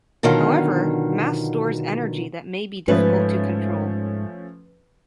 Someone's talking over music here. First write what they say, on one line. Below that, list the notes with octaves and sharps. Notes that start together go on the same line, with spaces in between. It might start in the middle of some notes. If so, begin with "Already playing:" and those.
However, mass stores energy that may be difficult to control.
B2 D3 D#3 F#3 F4
G#2 F3 A3 C#4 B4